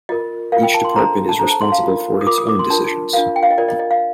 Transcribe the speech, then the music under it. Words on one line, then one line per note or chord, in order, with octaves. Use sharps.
Each department is responsible for its own decisions.
F4 A#4 D#5
F4 A#4 F5
G5
A5
C6
D4 A4 C5 A#5
A5
D4 A4 C5 A#5
A5
C6
F5
F4 A#4
D#6
F4 A#4 D6
D#6
D6
C6
D4 F4 A#4 A5
D4 F4 A#4 F5
G5
F5
D#5
F4 A#4 D5
D#5
D#5
F5